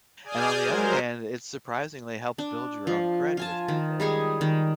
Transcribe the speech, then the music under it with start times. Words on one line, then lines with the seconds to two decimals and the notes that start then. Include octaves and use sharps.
And on the other hand, it surprisingly helps build your own cred with people
0.24 G#4 D5 G#5 D#6 F6 G6
0.63 F#3 G#3 A#4 C5
2.38 D4
2.87 F3
3.37 F4 G#5 A5
3.68 D#3
4.00 G3 G#3 G#4 C#6
4.41 D#3